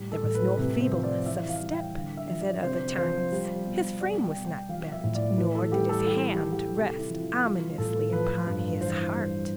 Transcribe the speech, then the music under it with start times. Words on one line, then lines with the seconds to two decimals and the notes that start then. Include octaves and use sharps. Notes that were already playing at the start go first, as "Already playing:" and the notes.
There was no feebleness of step as at other times; his frame was not bent, nor did his hand rest ominously upon his heart.
Already playing: A2 G3
0.12 A4
0.23 A2
0.35 B4
0.57 C3 B4
0.80 C5
0.92 F3
1.03 D5
1.26 E3 E5
1.49 F5
1.60 G3
1.72 G5
1.94 D3 F5
2.17 E5
2.29 F3
2.41 D5
2.63 C3 C5
2.97 F3 C5
3.32 G3
3.66 B2
4.00 G3 D5
4.23 G5
4.35 B2
4.46 G5
4.69 F3 F5
4.92 E5
5.04 A2
5.15 D5
5.38 E3 B4
5.55 A4
5.72 G3 G4
5.89 A4
6.06 E3 G4
6.29 G4
6.41 G3
6.52 G4
6.75 C3 A4
6.98 E4
7.09 F3
7.21 F4
7.43 G3 F4
7.78 A2 A4
8.12 F3 B4
8.47 G2
8.81 E3 C5
9.15 G3